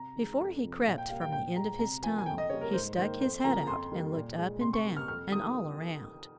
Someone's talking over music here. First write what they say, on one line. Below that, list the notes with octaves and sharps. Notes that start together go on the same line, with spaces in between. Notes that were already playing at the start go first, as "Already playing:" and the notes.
Before he crept from the end of his tunnel, he stuck his head out and looked up and down and all around.
Already playing: C3 A#5
D#3 G#3
F2
C3 F3
A#2 F5
G5
G3 A#3 F5
G5
A#2 G5
G#3 A#5
C3 A#5
F3 A#3 G#5
G#5
F2 G5
D#5
C#3 G3 A#3 C#5
A#4
G#2 C5
D#3 A#3 C5
F2 C5
C#3 F3 A#3 A#5
F2 C6
D#3 G3 A#3
A#2
G#3
C3 C6
C#6
G3 A#3
F6
F2 F6
D#3 G3 A#3 D#6